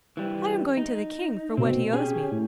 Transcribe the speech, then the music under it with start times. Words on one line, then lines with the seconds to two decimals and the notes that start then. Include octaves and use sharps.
'I am going to the King for what he owes me.'
0.17 E3 G3
0.77 D#4
1.57 B2 C4
1.93 C#4 G4 G#4
2.32 A2